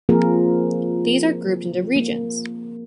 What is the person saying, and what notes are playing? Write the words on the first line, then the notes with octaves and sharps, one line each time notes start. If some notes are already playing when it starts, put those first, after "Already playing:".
These are grouped into regions.
F3 A#3 C4 F4 G#4 A#4
A#3